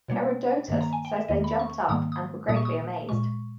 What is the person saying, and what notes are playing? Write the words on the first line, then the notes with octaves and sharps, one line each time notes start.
Herodotus says they jumped up and were greatly amazed.
B2 G3 A#3 C#5
G2 D#3 A#3
A#5
G#5
G5
E5
E2 D#3 A#3 D#5
B5
C#6
G#2 D#3 G3 A#3 D#6
D#6
A#2 G3 A#3 D#6
C#6
D#6
A#2 G#3 C#6